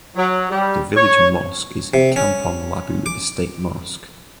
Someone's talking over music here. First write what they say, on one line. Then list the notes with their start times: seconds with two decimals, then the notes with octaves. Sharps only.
The village mosque is Kampong Labu Estate Mosque.
0.16 F#3
0.51 G3
0.97 C#5
1.94 C3
2.16 C#4
3.06 D6